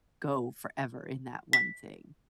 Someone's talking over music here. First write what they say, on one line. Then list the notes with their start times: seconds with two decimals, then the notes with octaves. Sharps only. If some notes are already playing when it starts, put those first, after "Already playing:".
go forever in that one thing,
1.53 B6